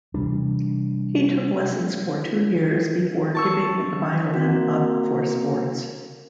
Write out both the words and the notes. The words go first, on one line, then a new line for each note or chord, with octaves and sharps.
He took lessons for two years before giving the violin up for sports.
C3 E3 G3 D4
A5 C#6 E6
A#3 C4 F#4